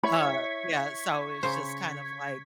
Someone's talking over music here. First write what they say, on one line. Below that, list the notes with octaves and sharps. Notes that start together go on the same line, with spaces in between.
uh, yeah, so, it's just kind of, like,
E4 C#5 B5 C#6 G#6 B6
C#3 C5